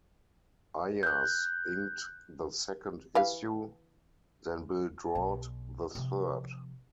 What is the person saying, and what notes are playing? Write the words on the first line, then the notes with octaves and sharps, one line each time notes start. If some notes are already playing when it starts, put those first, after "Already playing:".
Ayers inked the second issue, then Bill Draut the third.
F#6 G6
E3 B4 F5
B1
C3 F3